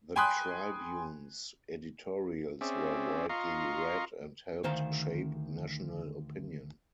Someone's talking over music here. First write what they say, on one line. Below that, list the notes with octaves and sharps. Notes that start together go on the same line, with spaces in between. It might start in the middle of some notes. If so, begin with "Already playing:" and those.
The "Tribune"s editorials were widely read and helped shape national opinion.
G5 G#5 B5 C6 D#6 F#6
C4 C#4 G#4 D5 E5
F4 D#5 F5 A#5 C6 C#6
D2 D#3 C5 F5 A#5